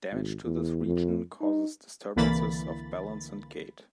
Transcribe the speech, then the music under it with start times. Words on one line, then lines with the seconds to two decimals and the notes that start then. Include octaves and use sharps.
Damage to this region causes disturbances of balance and gait.
0.12 G#1
0.45 E2
0.86 F2
1.41 D#4
2.16 C2 D3 E3 A#3 B5 A6